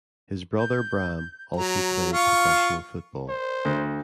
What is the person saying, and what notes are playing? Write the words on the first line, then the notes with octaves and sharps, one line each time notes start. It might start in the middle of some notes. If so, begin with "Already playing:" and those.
His brother Bram also played professional football.
G6
F#3 A#5
F4 F5 C#6
C5
D2